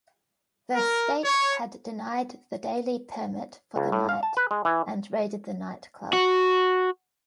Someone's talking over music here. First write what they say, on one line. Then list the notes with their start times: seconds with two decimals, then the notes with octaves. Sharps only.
The State had denied the daily permit for the night and raided the nightclub.
0.75 A#4
1.24 C#5
3.76 C#2
3.92 A2
4.09 F5
4.23 A5
4.37 B4
4.51 G#3
4.65 E3
6.13 F#4